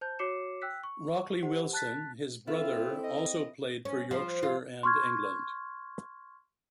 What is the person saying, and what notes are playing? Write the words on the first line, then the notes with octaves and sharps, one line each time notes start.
Rockley Wilson, his brother, also played for Yorkshire and England.
C5 A5 G6
F#4 C#5 D6 C7 C#7 E7
G5 E6 F#6 B6
C#6
G4 C5 F#5
A5 F#6 A6 B6
C4 E4 F4 A4
D#5
C#4
F3
F4
C6 C#6 F6 G#6